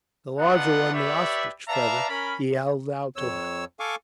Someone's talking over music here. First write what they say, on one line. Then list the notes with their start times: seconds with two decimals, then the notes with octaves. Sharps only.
The larger one, the ostrich feather, he held out to her.
0.38 B3 D4 D#4 F4 F#5
0.93 G4 B4 C#5 D5 E5
1.68 B4 D5 E5 F5 A5 A#5
2.09 C#4 A#4 B5
3.16 F2 C#5 E6
3.80 A4 F5 G#5 C#6 D6